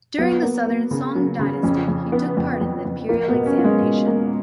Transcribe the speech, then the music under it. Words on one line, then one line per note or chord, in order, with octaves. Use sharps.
During the southern Song Dynasty, he took part in the Imperial Examination.
F#3 B3
A#3
A#3
C#3
F#3
C#3
F2 C#4
F2
B3
F2
F2
F2
A#3 F4
B3
B2
C#4
F4
G#3
B2
A#3